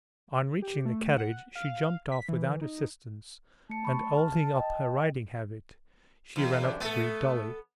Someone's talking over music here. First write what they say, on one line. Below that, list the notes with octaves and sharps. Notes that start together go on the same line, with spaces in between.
On reaching the carriage she jumped off without assistance, and holding up her riding habit, she ran up to greet Dolly.
G4
A3
F#5
F5
B6
E3
D#4
A3 A5 C#7
B5 C#6
F6
D#5 G5
E2
F#2 C3 D4
A3 B3 A4